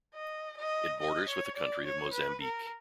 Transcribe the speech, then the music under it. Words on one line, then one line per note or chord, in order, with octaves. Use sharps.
It borders with the country of Mozambique.
D#5
D#5
D#5
C#5
D5
C#5
B4
A#4